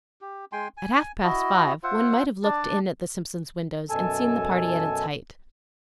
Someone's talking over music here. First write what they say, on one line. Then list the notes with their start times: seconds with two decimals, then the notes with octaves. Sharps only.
At half past five one might have looked in at the Simpsons' windows, and seen the party at its height.
0.21 G4
0.52 G#3 G5 G#5 C6
0.77 G#5
1.23 E4 F#4 D#5
1.83 F4 C5 E5 F#5
2.44 D4 D5 A5
3.90 F#2 B2 A4 G#5 A5